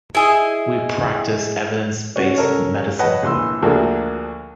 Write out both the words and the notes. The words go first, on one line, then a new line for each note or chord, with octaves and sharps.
We practice evidence-based medicine.
E4 G#4 D#5
C#4 F#4
C#4 A4 A#4 C#5
B4 C#5 D#5 F#5 A5
A#1 E3 C6 E6
D2 F3 A#3 D4 F#4 G#4